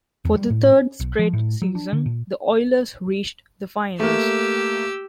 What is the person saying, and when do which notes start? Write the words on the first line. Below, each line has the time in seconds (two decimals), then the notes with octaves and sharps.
For the third straight season, the Oilers reached the Finals.
0.25 E2
0.36 G3
0.50 A2
0.72 C#4
1.00 B1
1.19 F3
1.33 A2
1.62 F#3
1.75 D4
1.93 D3
2.06 A#2
4.00 A3 A#3 G4 E6